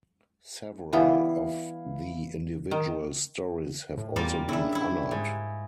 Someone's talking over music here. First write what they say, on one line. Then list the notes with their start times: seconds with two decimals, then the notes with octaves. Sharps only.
Several of the individual stories have also been honored.
0.93 E3 G3 B3 E4 F5
2.71 D#3
3.97 A2
4.16 E2 G3 A#3 F4
4.49 C#3 D4 E4 E5
4.73 E4 E5
5.11 G#2